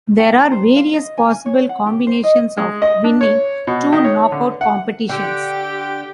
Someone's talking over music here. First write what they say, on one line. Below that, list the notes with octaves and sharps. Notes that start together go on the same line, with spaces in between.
There are various possible combinations of winning two knock-out competitions.
G5
A#5
C5
F5
D#5
G#5
C#5
F#5
G4
C5
D#5
G#3
D#5
D4
C#5
B2
D#3
C#5
D3
F#5
D3 G4 G5